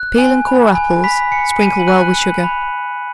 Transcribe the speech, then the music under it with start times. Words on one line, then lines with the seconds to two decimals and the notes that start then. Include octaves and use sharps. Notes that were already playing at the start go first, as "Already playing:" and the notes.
Peel and core apples; sprinkle well with sugar.
Already playing: F#6
0.18 G#5
0.47 B5
0.75 G#5
1.04 B5 B6
1.31 G#5 C#7
1.59 G#5 D#7
1.79 F#7
1.88 F#6 D#7
2.15 B5
2.44 B5